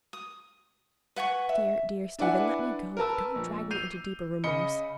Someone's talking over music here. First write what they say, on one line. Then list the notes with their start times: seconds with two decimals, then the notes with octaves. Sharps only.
Dear, dear Stephen, let me go!--don't drag me into deeper remorse.
0.13 D#6
1.16 B4 F#5 G#5 C#6
1.49 E5
2.19 D4 E4 B4 D5 F#5 G#5
2.97 A#4 B4 A5 E6
3.35 A#1
3.71 G6 C7 D#7 F7
4.44 C#3 D#5 B5 C#7 G7